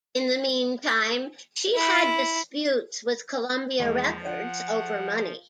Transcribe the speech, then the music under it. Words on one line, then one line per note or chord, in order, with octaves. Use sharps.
In the meantime, she had disputes with Columbia Records over money.
E4
E2 F3 G#3 A#3
F4 F#5